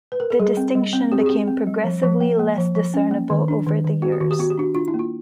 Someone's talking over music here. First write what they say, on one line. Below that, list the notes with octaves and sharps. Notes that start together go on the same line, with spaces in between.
The distinction became progressively less discernible over the years.
B4
A#4
A4
G3 G#4
C4
G3
C4
C4 G4
G#4
C4 G4
C4
G3
F3
F3
A#3
A#3
F3
F3
C#4
A#3
D#3
D4
D#3
D#3
B3 F#4
G4
D#3 F#4
G4
B3 F#4
G4
D4 F#4
D4 F4
E4
A#3
F4